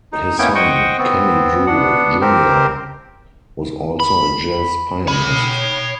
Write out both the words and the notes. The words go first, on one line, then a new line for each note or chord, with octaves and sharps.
His son, Kenny Drew, Junior was also a jazz pianist.
D#4
A#3 B3 C#4 D#4 E4 G5
C5 D#5 F#5 G5 C#6
B3 C4
B3 D4 F#5
C4 G4 A#4 C5
B5
C#5 B5